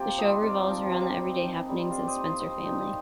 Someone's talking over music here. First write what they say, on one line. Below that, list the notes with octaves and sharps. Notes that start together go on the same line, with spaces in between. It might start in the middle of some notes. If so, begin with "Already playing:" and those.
The show revolves around the everyday happenings of the Spencer family.
Already playing: C3 A#3 F4 G4
F3 C4 D#4 C5 D#5
C3 D5 F5
F3 C4 D#4
D#3 F5 A5
G3 C4 D#4
D#3
G3 C4 D#4
C3 D5 F5
C5 D#5
G3 A#3 D#4
C5 D#5
C3 C5 D#5
G3 A#3 D#4